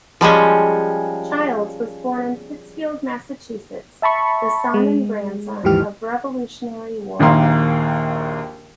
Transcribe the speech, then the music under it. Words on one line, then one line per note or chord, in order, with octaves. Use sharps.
Childs was born in Pittsfield, Massachusetts, the son and grandson of Revolutionary War veterans.
F3 G3 G#3 C#4
E5 A5 B5 C#6
G#3
D#2 G#2 E3 F3 G4 F6
A#1 D#2 D#3 A#3 C6